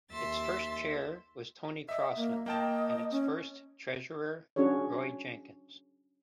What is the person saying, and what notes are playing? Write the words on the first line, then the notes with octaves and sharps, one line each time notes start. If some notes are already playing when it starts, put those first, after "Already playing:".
Its first chair was Tony Crosland, and its first treasurer Roy Jenkins.
D#2 E5 C6 A6
D#5 E5
A#3
A#3 D#5 G5 A5
C#4
C#4 D4 F#4 G#4 C#5